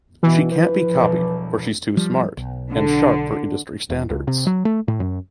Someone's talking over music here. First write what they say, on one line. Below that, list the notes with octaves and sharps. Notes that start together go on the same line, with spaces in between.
She can’t be copied for she’s too smart and sharp for industry standards.
B2 E3
F3 B4
E1 B1 G3
F3 G3
B1
D3
E1
C#2
C3
F#3
A3
A2
F#2